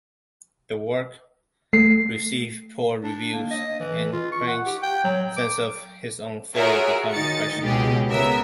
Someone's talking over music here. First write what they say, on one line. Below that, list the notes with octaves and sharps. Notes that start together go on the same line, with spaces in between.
The work received poor reviews, and Crane's sense of his own failure became crushing.
A3 C7
D4
A#3
D#5
E3
F4
C#6
F#5
G4
G5
F#3
D6
F4 F#4 G#4 A#4 C#5 E5
D#3 D#4 A6 C#7
C#2 B2 G4 G#4
C#3 B3 A#4 E5 E6